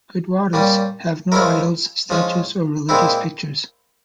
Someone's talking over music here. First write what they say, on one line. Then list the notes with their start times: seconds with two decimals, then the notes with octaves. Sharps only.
Gurdwaras have no idols, statues, or religious pictures.
0.53 A#2 G3 C#4
1.32 F3 G#3 C#4 E4 A#4
2.10 F3 G#3 C#4
2.89 A#2 G#3 C4 E4